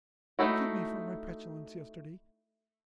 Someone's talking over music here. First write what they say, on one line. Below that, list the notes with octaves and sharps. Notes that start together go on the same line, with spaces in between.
Forgive me for my petulance yesterday!
A3 A#3 D#4 E4 F#4